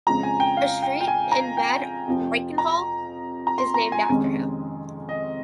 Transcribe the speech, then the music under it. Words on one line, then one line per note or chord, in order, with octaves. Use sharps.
A street in Bad Reichenhall is named after him.
F2 C#3 F3 G#3 A#5
G#5
G5
F5
G5
G5
G#5
A#5
G5
F2 C3 F3
A#5
A#5
C6
A#5
G#5
F2 C3 D#3 G#3 C#4
D#5